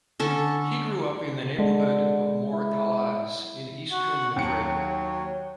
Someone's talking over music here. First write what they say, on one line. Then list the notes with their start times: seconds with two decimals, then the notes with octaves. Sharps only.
He grew up in the neighborhood of Moratalaz in eastern Madrid.
0.20 D3 C#4 A4
1.59 D3 G#3
2.52 E4
3.92 F#4 F#5
4.36 D#2 F#3 C#7